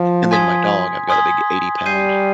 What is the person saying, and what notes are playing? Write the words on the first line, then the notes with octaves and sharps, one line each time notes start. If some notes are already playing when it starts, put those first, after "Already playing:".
and then my dog I've got a big eighty-pound
Already playing: F3
G#5 C6 D#6 G#6 B6
G#5 C6 D#6 G#6 B6
G3 G6 C7 D#7